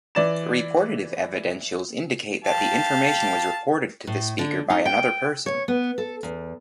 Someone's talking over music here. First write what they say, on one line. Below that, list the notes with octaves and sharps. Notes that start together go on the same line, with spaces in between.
"Reportative" evidentials indicate that the information was reported to the speaker by another person.
E3 D5 E7
G4 F5 A5
A2
D3
D#4
G5
C#5
B3
A4
E2